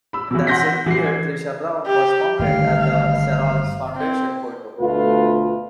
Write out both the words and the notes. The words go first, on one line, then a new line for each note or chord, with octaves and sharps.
That same year, "Trisha Brown" was mounted at the Serralves Foundation, Porto.
B5 E6
B2 E3
F#5 C6 G6 A#6 B6
E3 C7
G#6
G4
G1 D#3 A3 F5
F5
C4
D2 B2 A3 F4 B4